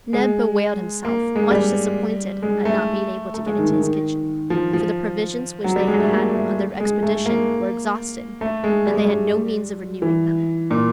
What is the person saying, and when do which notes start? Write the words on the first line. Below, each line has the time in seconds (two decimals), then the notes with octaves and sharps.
Neb bewailed himself, much disappointed at not being able to get into his kitchen, for the provisions which they had had on their expedition were exhausted, and they had no means of renewing them.
0.13 G#3
1.05 A#3
1.36 G#3
1.51 G3
2.42 G#3
2.65 A3
3.34 A3
3.46 G#3
3.58 D#3
3.70 D#3
3.80 D#3
4.50 F3
4.73 F3
5.64 F#3
5.76 G3
5.87 G#3
5.99 A3
6.10 A#3
6.34 A3
6.80 G#3
7.03 A3
7.26 A#3
8.41 A3
8.64 G#3
8.87 G3
8.96 G#3
9.05 G3
10.02 E3
10.71 A#2